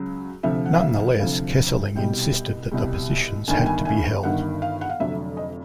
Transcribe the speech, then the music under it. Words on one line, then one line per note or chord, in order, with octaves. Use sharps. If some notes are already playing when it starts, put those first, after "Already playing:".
Nonetheless, Kesselring insisted that the positions had to be held.
Already playing: C#2 C#3 F#3
D2 C3 F3 E5
F#5
F5
E5
D2 C3 F3 F5
C2 B2 G3 G5
C2 B2 G3
G1 G2 D#3 G#5
G5
G#5
G#5
G1 G2 D#3 F#5
F5
F#5
F5
F1 F2 D3 F#3 E5
D#5